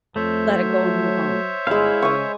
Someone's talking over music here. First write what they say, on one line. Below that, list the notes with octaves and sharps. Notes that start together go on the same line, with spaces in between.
let it go and move on?
F2 A3 C5 C#5 E5
F#3
G1 G#3 E4 F5 B5
C#3 C#6 D#6